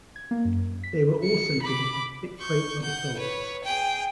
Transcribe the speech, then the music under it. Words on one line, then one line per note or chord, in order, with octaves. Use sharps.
They were also fitted with thick crepe rubber soles.
G#6
A#3
F#2
B6
C#7
B5 D6
C#6 G6
F#5 G6
B4 C#5
G#4 G5